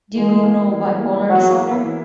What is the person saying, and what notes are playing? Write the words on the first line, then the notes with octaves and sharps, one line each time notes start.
Do you know Bipolar disorder?
E3 G#3
G#4
A#3
E4
E3
G#4
A#3
E4
E3 F#3
G#4
A#3
E4
E3